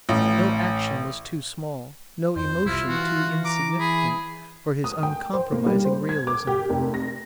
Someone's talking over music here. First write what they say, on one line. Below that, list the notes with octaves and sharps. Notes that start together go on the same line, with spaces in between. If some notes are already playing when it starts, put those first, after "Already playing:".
No action was too small, no emotion too insignificant, for his uncompromising realism.
A1
F2 C5
C2 E4 F4
E3 F#4
A#5 D6
G#4 B5
D#6
G5
C5
A#3
G3
C5
G#6
D6
G4
F1
A#6